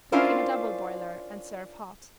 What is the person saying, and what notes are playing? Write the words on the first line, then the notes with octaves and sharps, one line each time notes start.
Cook in a double boiler and serve hot.
C#4 D4 E4 F4 A#4 C5